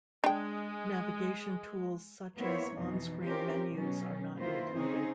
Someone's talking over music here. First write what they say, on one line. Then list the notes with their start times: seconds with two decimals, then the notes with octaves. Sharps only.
Navigation tools such as on-screen menus are not included.
0.24 G#3 D4 G5
2.39 A#3 B3 E4 C5 C#5
2.76 F2 B2 E3 D#4
3.22 D#3 C4 C#4 F4 G4 A#4
3.70 B2 F#3 C#4
4.38 D#3 A#3 E4 F4 B4 C5
4.76 C#3 C4 C#4 D#4 G#4